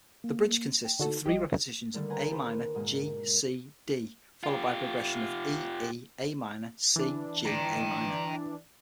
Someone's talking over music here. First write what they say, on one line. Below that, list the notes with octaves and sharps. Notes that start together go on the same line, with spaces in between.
The bridge consists of three repetitions of Am-G-C-D followed by a progression of E-E-Am-C-G-Am.
A#3
G5
D3 D#4 F#4 A4
A1 F3 G3 G4 D#5
D3 D#3 G3 A3 A#3 D#4
B4 C5 F#5 G#5 A#5 A#6
D4 E4 G4 G#4 B4 C5
A#4 F#6
G#2 B2 G#3 A#3 F#4
F4 G4
E3 D4
G5 A#5